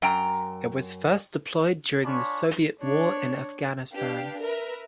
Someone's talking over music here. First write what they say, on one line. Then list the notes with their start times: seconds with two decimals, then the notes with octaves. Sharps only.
It was first deployed during the Soviet war in Afghanistan.
0.02 F#2 G5 A#5
2.03 D4 F4 C#5 G#5 B5
2.81 D4 C#5
3.93 D4 G4 B4 F5
4.41 A#4 B4 E5